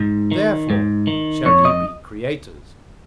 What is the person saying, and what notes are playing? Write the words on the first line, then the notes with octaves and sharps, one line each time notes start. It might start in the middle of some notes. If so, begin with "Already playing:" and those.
Therefore shall ye be creators!
Already playing: G#2
D#3
G#2
D#3
F2 C#5
D#5